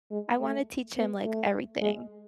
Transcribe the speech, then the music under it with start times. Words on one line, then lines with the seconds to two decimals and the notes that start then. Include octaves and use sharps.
I wanna teach him, like, everything.
0.11 G#3
0.40 A3
0.97 B3
1.25 A3
1.82 G#3